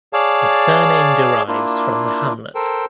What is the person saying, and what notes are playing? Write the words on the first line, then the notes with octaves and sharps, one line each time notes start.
The surname derives from the hamlet.
G#4 C#5 D5 F5 A5
A#3 D4 E4 F4
A4 A#4 C5 G5